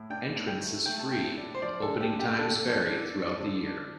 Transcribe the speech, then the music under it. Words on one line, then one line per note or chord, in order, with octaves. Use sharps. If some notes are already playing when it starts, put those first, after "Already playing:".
Entrance is free, opening times vary throughout the year.
Already playing: A2
D4 G5
A2
G5
A3
A3 G5
A5
A2 G5
D4
C5
F3 D5
A4
D3
G4
D3
G4
D4 A4
F3
D4
D4
D3
D4